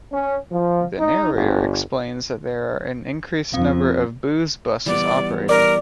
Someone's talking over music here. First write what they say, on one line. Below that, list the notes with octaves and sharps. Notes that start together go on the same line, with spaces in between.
The narrator explains that there are an increased number of booze buses operating.
C#4
F3
D#4
G1
F2 C4 F5
E3 G3 B3 D5
A#4 D5